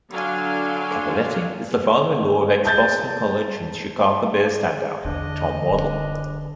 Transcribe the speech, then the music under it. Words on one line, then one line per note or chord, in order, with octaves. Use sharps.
Cappelletti is the father-in-law of ex-Boston College and Chicago Bears standout Tom Waddle.
D3 F#3 D4 F5 G#5 C6
A5 G6 A6
E2 D3 D4 D#5
D1 D4